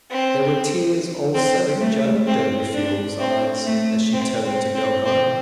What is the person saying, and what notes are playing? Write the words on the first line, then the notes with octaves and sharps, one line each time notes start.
There were tears also in Joan Durbeyfield's eyes as she turned to go home.
C4
C4
A3
C4
D4
C4
A3
C4
C4
C4
C4